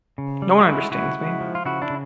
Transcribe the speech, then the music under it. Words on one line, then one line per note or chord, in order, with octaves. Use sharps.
No one understands me.
C#3
G3
G4
G#3 E4 F#4
C#3 E4 F#4
G#3
F3
F4
C#3 E4 F#4
D4 E4
C#3